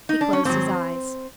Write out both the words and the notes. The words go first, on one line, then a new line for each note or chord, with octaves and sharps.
He closed his eyes.
D#4
D4
C#4
G#2 D#3 F#3 C4